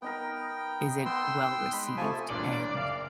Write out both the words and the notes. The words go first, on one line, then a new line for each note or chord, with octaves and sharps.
isn't well-received, and
B3 D#4 A#4 G5
B3 G5 C6 E6
G#3 B5
C3 F3 A3 G#5 A5
A1 G2 A#2 D4 D5
F#1 F5